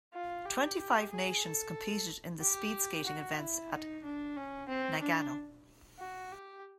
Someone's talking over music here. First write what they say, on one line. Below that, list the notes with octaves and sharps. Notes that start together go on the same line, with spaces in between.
Twenty-five nations competed in the speed skating events at Nagano.
F4
G4
G#4
A4
G4
F#4
E4
D#4
D4
C#4
C4
D4
F#4
G4